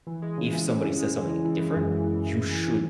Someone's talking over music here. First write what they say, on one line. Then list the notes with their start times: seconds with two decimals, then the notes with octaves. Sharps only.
if somebody says something e different, you should
0.07 E3
0.22 G#3
0.38 C#3
0.53 E3
0.68 C#3
0.83 C#3
0.99 G#3
1.14 G#3
1.30 C#3
1.45 E3
1.60 E3
1.76 F#2
1.91 E3
2.06 E3
2.22 F#2
2.37 E3
2.52 E3
2.68 E3